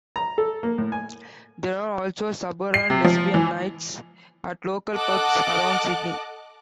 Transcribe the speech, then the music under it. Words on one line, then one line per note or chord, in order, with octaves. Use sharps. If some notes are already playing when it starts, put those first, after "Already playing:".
There are also suburban lesbian nights at local pubs around Sydney.
A#5
A4
A#3
A2
G#5
C7
C3
F3
E3
A4 D#5 F#5 A5 D6 F#6